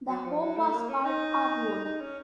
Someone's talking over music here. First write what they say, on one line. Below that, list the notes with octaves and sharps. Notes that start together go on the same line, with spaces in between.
The home was called Ardwold.
F#3
F3
F#3
A3
A#3
C#4
D#4
D#4
C#4